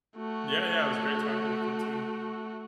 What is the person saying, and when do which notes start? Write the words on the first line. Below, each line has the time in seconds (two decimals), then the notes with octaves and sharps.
Yeah, yeah. It was great talking with you, too.
0.17 A3 F#4